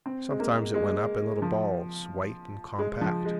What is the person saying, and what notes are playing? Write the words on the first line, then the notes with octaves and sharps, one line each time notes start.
Sometimes it went up in little balls, white and compact.
C4
G#3
A#3
G#3
F3
G#3
F3
G#3